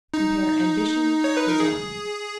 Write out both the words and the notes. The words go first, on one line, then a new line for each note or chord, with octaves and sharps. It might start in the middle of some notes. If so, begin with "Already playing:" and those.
Compare AMBITION; DESIGN.
D#4
C#5
B4
A#4
G#4